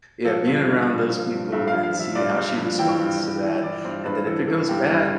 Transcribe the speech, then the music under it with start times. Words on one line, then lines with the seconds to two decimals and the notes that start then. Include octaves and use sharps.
yeah, being around those people and see how she responds to that, and then if it goes bad
0.25 F3 A4
0.46 G2
0.67 G2
0.88 F3
1.09 F3
1.31 G2
1.52 G2 E5
1.68 F5
1.73 F3
1.83 F5
1.94 F3
1.99 E5
2.15 G2 D5
2.36 G2
2.57 F3
2.79 E3 G5
3.00 G2
3.21 G2
3.43 E3
3.63 E3 D5
3.84 G2 C5
4.05 G2 B4
4.27 E3 A4
4.48 E3 A4
4.69 G2 G4
4.90 G2